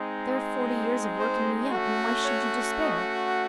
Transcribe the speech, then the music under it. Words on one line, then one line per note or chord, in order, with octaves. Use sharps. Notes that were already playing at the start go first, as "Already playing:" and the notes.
There are forty years of work in me yet, and why should you despair?
Already playing: G#3 C4 D#4
C5
A3 C#4 F#4
C#5
D#5